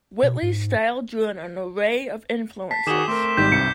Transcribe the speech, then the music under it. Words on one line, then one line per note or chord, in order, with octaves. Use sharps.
Whitley's style drew on an array of influences.
B2
G#2
A5 B6 C7
D#3 F#4 G#4 D6 E7 G7
A3 C4 A#4
G#1 G3 G4 G6 B6 E7
C2 G2 C3 C7 C#7